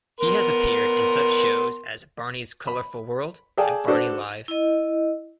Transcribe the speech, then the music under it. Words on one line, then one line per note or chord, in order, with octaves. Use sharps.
He has appeared in such shows as Barney's Colorful World and Barney Live!
B3 A#4 C6
B5
G#4 A4 D5 F5 G5 A5
D4 F#4 A4 B4 C5 D5
E4 D#5